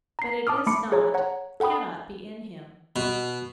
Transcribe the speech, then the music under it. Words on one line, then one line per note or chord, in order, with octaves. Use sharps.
But it is not, cannot be in him.
A#5 C7
A5 D6 D#6 F6
A3 B5 D6 C#7
G#4 C#5 A#5
C#5 F#5 A#5
A4 F#5 G5 B5 D#6
B2